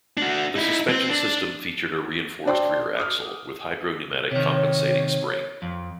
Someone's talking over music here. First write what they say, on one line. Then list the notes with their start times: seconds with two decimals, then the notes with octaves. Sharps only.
The suspension system featured a reinforced rear axle with hydro-pneumatic compensating spring.
0.17 D4 F#4
0.56 D#4 E4
0.89 C4 C5
1.11 D4
2.45 D4 C5 D5 G5 C6
2.98 D6 D#6 F6
4.31 C3 D#3 C#5
5.62 F2